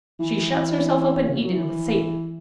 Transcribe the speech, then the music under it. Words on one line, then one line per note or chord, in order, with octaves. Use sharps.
She shuts herself up in Eden with Satan.
E3
C#3
B2
F#3
E3